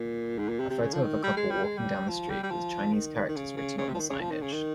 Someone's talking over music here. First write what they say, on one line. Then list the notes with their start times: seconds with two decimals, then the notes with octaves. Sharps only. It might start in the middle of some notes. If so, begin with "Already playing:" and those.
A photo of a couple walking down the street with Chinese characters written on the signage.
Already playing: A#2
0.38 G#2
0.49 A#2
0.59 C3
0.70 C3
0.81 C#3
0.93 F3
1.02 D#3
1.23 G3
1.37 G#3
1.50 G3
1.64 G#3
1.77 G3
2.08 F3
2.29 G3
2.43 G3
2.50 F3
2.93 D#3
3.28 D#3
3.36 C#3
3.57 C#3
3.78 C#3
3.88 C3
3.94 F3
3.99 D#3
4.10 C#3
4.20 F3
4.31 D#3
4.42 C#3
4.53 D#3